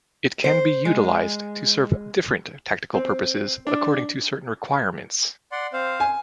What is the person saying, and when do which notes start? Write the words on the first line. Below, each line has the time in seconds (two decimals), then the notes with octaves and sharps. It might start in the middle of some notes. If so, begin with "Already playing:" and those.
It can be utilized to serve different tactical purposes according to certain requirements.
0.44 C5
0.85 G#3
2.94 C4
3.67 D4
5.52 D5 F#5 C6
5.73 C4 C5 F5
6.00 G#5